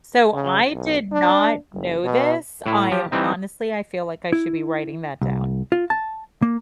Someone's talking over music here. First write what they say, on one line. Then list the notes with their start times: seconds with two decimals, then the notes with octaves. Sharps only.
So, I did not know this. I am honestly I feel like I should be writing that down.
0.33 C#3
0.73 B1
1.12 D4
1.73 F#1
2.04 B2
2.66 A2 E4
2.91 F3 G4
3.12 E3 G3 C4 D#4
4.32 E4
5.21 C2
5.72 F4
5.90 A5
6.42 A#3